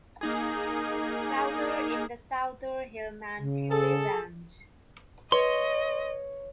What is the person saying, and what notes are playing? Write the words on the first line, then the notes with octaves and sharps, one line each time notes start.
Souther in the Souther-Hillman-Furay Band.
A#3 D#4 G#4
C#3
G#4 A4
B4 C#5 D#5 C6